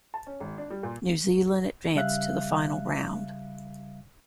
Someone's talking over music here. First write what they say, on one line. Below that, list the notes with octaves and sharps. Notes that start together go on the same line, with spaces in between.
New Zealand advanced to the final round.
A5
C#4
G#1
D4
G3
A#2
C#3 G3 E5 F5 F#6